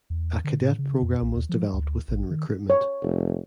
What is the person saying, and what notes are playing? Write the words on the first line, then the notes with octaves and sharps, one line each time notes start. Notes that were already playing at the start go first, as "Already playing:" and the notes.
A cadet program was developed within recruitment.
E2
D3
A2
C#3
F2
B1
D#2
F3
D2
A1
D#3
C#5
F1